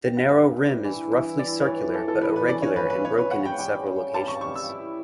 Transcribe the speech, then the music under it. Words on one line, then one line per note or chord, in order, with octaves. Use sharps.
The narrow rim is roughly circular but irregular and broken in several locations.
G5
F#5
G2 E5
G2
E3
E4
E4 D5
C#5
E3 B4
E3 A4
A4
G2 B4
B4
C#3 D5
C#5
C#3 B4
B4
C#3 C#5
B4
C#3 F#5
G5
G3 G5
C#3
G3 A5
C#6
G3 C#6
E6
E4